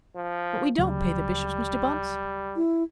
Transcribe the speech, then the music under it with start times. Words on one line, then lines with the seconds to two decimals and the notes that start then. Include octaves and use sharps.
"But we don't pay the bishops, Mr. Bunce."
0.16 F3
0.78 D2 C#3 F#3 G3
2.56 E4